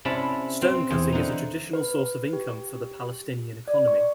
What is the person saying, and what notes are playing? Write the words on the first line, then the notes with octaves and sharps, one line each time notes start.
Stonecutting is a traditional source of income for the Palestinian economy.
C3 C#4 E4 D5 A5 B5
C4
E2
D3 D#4
B4
G4
D5
C#6